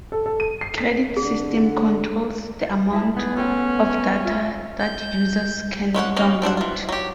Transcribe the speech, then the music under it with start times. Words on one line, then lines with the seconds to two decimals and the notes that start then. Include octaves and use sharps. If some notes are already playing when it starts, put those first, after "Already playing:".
Credit system controls the amount of data that users can download.
0.12 A4
0.26 A4
0.40 D#7
0.61 C7
0.78 B6
1.17 D3 G#4
2.93 E4 E5 A5
3.17 B3 D#4 G#4
3.36 C#4 A4 C5 G5
4.24 F4 E5
4.80 G6
5.95 G#3 C#4 B4 F#5
6.16 A#3 C#4 D#4
6.42 C4 D4 G#4 F#5
6.57 E3 F4
6.89 F#3 G4